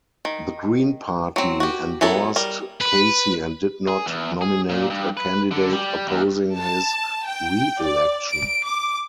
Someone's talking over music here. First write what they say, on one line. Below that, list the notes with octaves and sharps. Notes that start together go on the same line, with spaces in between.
The Green Party endorsed Casey and did not nominate a candidate opposing his reelection.
D#3
F#3 C4
F#4 G4
F#3 B3 E4 A4
G3 A#4
B4
G#4
E2
G#4
A#2
G2
B4
D3
G3
D#2
A5
G5
D5
D7
D6